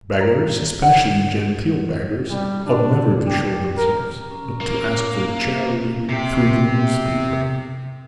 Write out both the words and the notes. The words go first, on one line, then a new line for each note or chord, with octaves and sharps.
Beggars, especially genteel beggars, ought never to show themselves, but to ask for charity through the newspapers.
A#4
F#5
G3
D4
G4
A#4
C#4 A#5
A#3
C3 G4